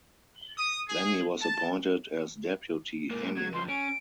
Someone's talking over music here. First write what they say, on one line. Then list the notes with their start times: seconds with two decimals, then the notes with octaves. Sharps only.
Then he was appointed as Deputy Emir.
0.58 D#6
0.87 G#4
1.40 A5
3.11 G#2 A#3
3.37 F#3 G#6
3.54 F#2 F3 C6
3.69 C#4 D7